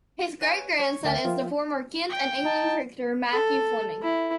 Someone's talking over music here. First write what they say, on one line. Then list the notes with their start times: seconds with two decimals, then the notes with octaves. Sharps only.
His great-grandson is the former Kent and England cricketer Matthew Fleming.
0.41 B4 C#5 G#5
0.80 C#5
1.04 D2 A#4 E5 G5 A6
1.25 F3 F4
2.10 G5
2.45 D#4 A5
3.32 A4
4.02 E4